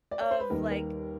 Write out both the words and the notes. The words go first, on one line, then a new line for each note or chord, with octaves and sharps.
of like
D5
C#5
C5
B4
D#2 D#3 G3 A#4
A#4